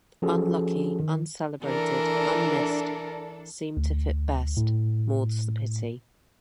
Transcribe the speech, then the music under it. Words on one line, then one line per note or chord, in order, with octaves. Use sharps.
Unlucky Uncelebrated Unmissed seem to fit best, more's the pity.
F3 C#4 F#4 G#4 A4
D#3
E3 D4 A4 A#4
D2
A2